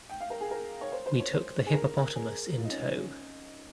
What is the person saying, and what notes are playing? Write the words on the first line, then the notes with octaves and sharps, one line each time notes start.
We took the hippopotamus in tow.
G5
F5
A#4
G#4
A#4
C#5
C5
C5
C#5
C5
G#4
A#4
G#4
F4
D#4
C#4